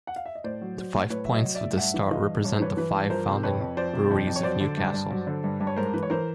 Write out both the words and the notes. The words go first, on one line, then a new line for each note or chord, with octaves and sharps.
The five points of the star represent the five founding breweries of Newcastle.
F#5
F5
E5
D#5
A2 C5 D5
F#3
F#3
A2
A2 B4 C#5
F#3 E5
C#5 D#5
F#3
D5 E5
A2
G2 E5 F#5
E3
E3 D#5 F5
G2
G2 C#5
C5
E3 B4 C#5
E3 B4
G2
F3 A#4 C5
C3
F2 B4 C#5
F2
F3 C5 D5
C3
F2
F2
C#5
F#3 C5 D5
D3
G2
G2
F#3
D3
G2
G2
C#5
G#2 A#4 C5
E3 B4
C#5
E3 A#4 C5